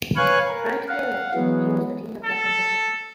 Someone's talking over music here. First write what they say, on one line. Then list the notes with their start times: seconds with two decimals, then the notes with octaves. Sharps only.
Prior to being elected he was the Dean of Brecon Cathedral.
0.16 B4 C#5 F5 G#5 C#6 F#6
0.48 A#4
0.88 F5 F#5
1.34 E3 F#3 G#3 B3
2.24 A4